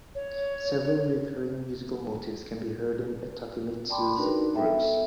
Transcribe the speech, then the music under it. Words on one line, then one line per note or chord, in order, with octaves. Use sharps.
Several recurring musical motives can be heard in Takemitsu's works.
C#5
D5 G5 A5 B5 C6 D6
D4 D#4 F#4 A#4 B4
B3 A4 E5 G5